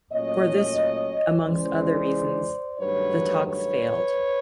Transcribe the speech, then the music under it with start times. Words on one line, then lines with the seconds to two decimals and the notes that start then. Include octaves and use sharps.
For this, amongst other reasons, the talks failed.
0.12 A#2 F#3 A3 C#4 C#5 D#5
1.46 C#2 C#3 E3 G#3 C5 D5
2.79 G2 D#3 F#3 A3 B4 C#5
3.46 B4 C#5